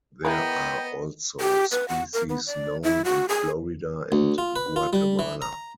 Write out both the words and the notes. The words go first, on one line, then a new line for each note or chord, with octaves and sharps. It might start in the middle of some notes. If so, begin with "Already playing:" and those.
There are also species known in Florida and Guatemala.
B3 E4 G#4 A#4 B4 D#5 G5
G4
B4
F#5
A#4
B3
D5
E4
F#4
G#4
D2
F4
B4
F4
G3
E3
A#5